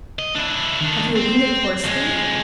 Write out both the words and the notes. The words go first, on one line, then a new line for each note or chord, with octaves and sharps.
"Have you a winged horse, then?"
D#5
D4 E4
D#3 D4
C4
F2 G#3